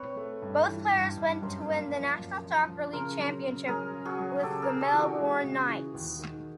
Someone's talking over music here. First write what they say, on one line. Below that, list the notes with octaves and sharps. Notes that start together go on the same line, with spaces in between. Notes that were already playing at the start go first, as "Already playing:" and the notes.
Both players went to win the National Soccer League championship with the Melbourne Knights.
Already playing: C4 B4 C#5
A3
G2
E3
G2
G2
F#2 A#4 C5
A#3
F3
F#2
F3
F3
C#3 A#4 C5
F#3
C#3
F#3 G#4 A#4
C#3
F#4 G#4
F#3
C#3 G4 A4
G#4 A#4
C#3
G4 A4
E3
F#4 G#4
G#3
C#3
E3
D#2
D#3